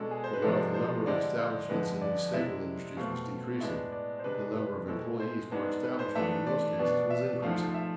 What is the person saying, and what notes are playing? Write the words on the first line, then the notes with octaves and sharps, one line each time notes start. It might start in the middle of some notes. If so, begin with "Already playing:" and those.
But while the number of establishments in these staple industries was decreasing, the number of employees per establishment in most cases was increasing.
Already playing: B2 G#3 D4 A4
G#4
C5
B4
C3 F3 G#3 B3 D4 A4
C5
D3 G#3 C4 E4 D5
C5
F2 D3 G#3 B4
D5
C3 G#3 C4 E4 E5
B2 A3 C4 F5
A2 G#3 B3 D4 E5
D5
C5
C3 G#3 D4 B4
B4
B2 G#3 C4 E4 A4
C5
G#2 G#3 B3 D4
B4
C5
G#2 E3 A3 D4 E5
D5
B2 B3 D4 D5
E5
G#2 F3 A3 F5
E5